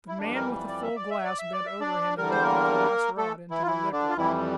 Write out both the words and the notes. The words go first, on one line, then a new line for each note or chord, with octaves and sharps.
The man with the full glass bent over him, and dipped a glass rod into the liquid.
E4
F2 D3 E3 G3 D4
A#3 A#4
D5
E5
D5
E5
D5
E5
D5
E5
D4 D5
E2 D3 G3 A#4
C5
A#3 A#4
A3 A4
E3 E4
F4
E3 E4
D3 D4
F4
F2 E3 G3 E4